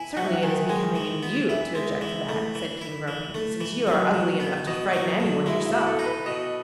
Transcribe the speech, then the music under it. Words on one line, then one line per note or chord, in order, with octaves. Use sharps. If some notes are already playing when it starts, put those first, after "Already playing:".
'Certainly it is becoming in YOU to object to that,' said King Grumpy, 'since you are ugly enough to frighten anyone yourself.'
Already playing: E4 G#5
F#3 F#5
E5
F#5
D#3 G#5
G#3 G#5
E3
B3
E4 E5
G#3
E3
A3
E3
E4
E3
A3
E3
F#3
B2
B3
B2 D#5
F#3
B2
G#3 E4
E4
B2
A4
D#4
B4
B2 D#5